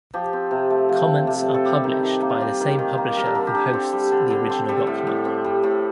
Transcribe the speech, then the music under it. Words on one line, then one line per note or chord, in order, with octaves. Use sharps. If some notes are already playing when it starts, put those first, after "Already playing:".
Comments are published by the same publisher who hosts the original document.
F3 G4
C4
C3
A3
F3
C4
C3
A3
A4
G3 G4
D#3
D#3
A#3
F4
G3 G4
D#3
D#3
A#3
G3 A#4
A4
D3 A#4
G4
D3 A4
C4
G3
D3
D3
C4
G3 A4
A2
A2
C4
G3
A2